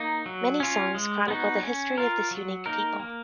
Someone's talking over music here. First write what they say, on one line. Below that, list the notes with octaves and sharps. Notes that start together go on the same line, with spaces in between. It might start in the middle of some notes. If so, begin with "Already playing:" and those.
Many songs chronicle the history of this unique people.
Already playing: A#3 D#4
F#3
C#4 F4
G#3
B3 D#4 F#4
C#4
F4 A#4
F#3
A#3 D#4 A#4
A#3